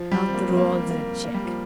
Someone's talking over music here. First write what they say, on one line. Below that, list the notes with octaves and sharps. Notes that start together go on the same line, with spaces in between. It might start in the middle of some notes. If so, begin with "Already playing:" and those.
"I'll draw the cheque."
Already playing: F3
G3
C4
A#3
C4
A#3
A#3
A#3
G3
F3